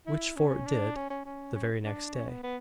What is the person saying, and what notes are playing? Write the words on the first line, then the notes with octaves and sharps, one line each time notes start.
Which Fort did, the very next day.
E4
C#4
D4
C#4
C#4
C#4
C#4
D4
C#4
B3
B3